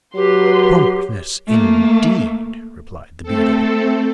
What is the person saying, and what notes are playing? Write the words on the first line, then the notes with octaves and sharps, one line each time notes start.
'Promptness, indeed!' replied the beadle.
F#3 G4 B4 C6
A3 A#3
A3 C4 A4